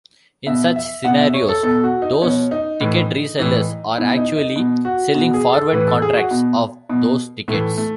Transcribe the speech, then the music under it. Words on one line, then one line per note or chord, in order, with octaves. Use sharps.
In such scenarios, those ticket re-sellers are actually selling forward contracts of those tickets.
B2 E5
E5
B2 F#5
E5
C#5
A4
B2 A4
F#4
D#4
B2 C#4
D#4
A2 E3
A2 E3
B2 E4
D#4
D#4
B2
F#4
B2 F#4
G#4
A4
A2 E3 B4
A4
G#4
F#4
B2
B2
A2 E3 A3
A3